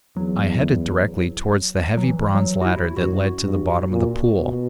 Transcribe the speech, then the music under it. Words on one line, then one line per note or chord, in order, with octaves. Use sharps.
I headed directly towards the heavy bronze ladder that led to the bottom of the pool.
E2 F#3
F#3
E3
F#3
F#4
E4
F#2 F#4
G2
A#2
B2